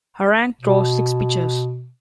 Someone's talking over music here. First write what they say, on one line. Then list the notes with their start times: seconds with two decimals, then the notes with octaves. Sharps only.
Harang throws six pitches.
0.61 B2